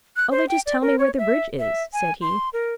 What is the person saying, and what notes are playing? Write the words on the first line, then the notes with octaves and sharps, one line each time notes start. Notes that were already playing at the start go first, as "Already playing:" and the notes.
"Only just tell me where the bridge is," said he.
F#6
C5
G5
D5
A#4
C#5
E5
E5
G#5
C6
A#4